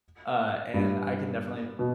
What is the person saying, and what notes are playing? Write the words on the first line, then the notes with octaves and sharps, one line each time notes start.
uh, and I can definitely
G2
B2